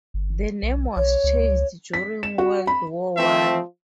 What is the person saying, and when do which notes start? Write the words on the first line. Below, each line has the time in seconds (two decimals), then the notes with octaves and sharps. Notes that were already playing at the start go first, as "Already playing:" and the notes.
The name was changed during World War One.
0.14 G1
0.63 B1
0.96 B1 C#5
1.24 C#2
1.94 B6
2.23 E7
2.38 F#4
2.67 B5
3.17 F3 A3 C4 E5